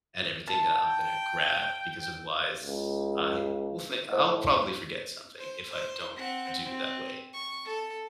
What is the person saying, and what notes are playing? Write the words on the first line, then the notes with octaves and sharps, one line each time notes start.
and everything that I'm gonna grab because otherwise, I will think I'll probably forget something if I don't do it that way.
A5
G5
C#2
A2 C5 D#5
C5
C5
C4 F#5
C4
C#6
A4